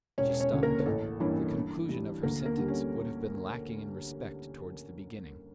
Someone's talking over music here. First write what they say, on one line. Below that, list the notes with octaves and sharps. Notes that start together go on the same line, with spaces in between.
She stopped; the conclusion of her sentence would have been lacking in respect towards the beginning.
E1 C#4 C#5
C#4 C#5
D2 C#3
A#3 A#4
A#4
A1 A4
G2 E3 A#3 C#4
G2
E3 G3
D2 A#3 A#4
A#3 A#4
D3 G3 A#3
C#4 C#5